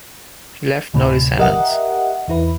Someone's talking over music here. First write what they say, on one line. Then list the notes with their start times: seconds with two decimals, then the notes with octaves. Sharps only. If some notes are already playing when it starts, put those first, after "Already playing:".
He left no descendants.
0.94 D2 A2 C3
1.38 G4 A#4 D#5 E5 F#5
2.28 E2 E4 B4